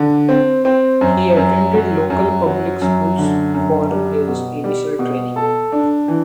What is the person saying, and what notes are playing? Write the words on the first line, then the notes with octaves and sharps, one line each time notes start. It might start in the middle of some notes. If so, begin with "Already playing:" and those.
He attended local public schools for his initial training.
Already playing: D3
C4
C4
F#2
F#2
F#3
F#2
F#3
F#2
D3
F#2
G3
B2
G3
B2
A4
D4
E3